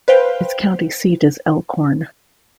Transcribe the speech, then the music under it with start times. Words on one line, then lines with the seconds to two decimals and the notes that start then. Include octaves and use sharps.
Its county seat is Elkhorn.
0.08 B4 C5 F5 G5